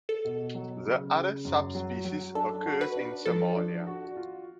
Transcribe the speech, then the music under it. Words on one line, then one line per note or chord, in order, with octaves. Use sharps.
The other subspecies occurs in Somalia.
A4
B2
F#3
C#3
C#3
F#2
F#3
F#3
D4 A4
F#4
B4
D4
F3 A4
D4
F#4
F4